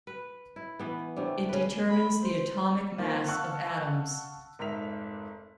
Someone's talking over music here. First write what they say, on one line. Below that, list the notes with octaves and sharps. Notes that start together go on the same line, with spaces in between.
It determines the atomic mass of atoms.
B4
E4
E3 B3
C3 A3 D4
C#3 B4
B5
C5
D#3 A#3 C4 F4
F5 F#5 A5 C#6 E6 F#6
F1 G#2 A#4 E5 B6 F7